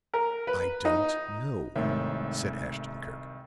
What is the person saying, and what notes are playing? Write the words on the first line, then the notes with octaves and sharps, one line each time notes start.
"I don't know," said Ashton-Kirk.
A#4
B4
D#4
C2 G#2 D#3 A3 C#5 E5